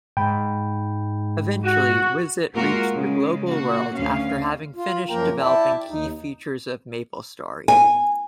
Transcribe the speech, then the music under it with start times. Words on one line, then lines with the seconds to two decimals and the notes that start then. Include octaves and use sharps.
Eventually, Wizet reached the global world after having finished developing key features of MapleStory.
0.17 G#2 G5 B5
1.64 F#4
2.54 G#3 A#3 F4 F#4 A#4
2.94 C#3 G#3
3.50 A#3 F#4
3.96 D2 C#4 F5
4.76 F4
5.10 F#2 F3 A#3 A#4 G5 A#5
5.40 E4 D5 E5 G5 A5
5.89 D#2 D#4
7.68 G#5